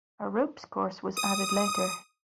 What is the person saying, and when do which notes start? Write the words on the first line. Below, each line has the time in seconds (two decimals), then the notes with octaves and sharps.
A ropes course was added later.
1.17 D#6